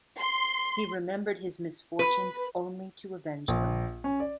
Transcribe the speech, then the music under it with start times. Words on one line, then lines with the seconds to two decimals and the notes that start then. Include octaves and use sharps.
He remembered his misfortunes only to avenge them.
0.19 C6
1.99 B4
3.48 A#1
4.04 C#4
4.20 D5